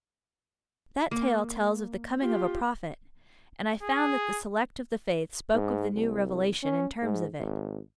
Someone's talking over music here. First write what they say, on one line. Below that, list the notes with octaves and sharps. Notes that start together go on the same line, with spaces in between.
That tale tells of the coming of a prophet, and I found that the select of the faith spoke of the new revelation in terms of it.
A#3
F4 G4
G#4
G#2
C2
C#4
G#2
G#1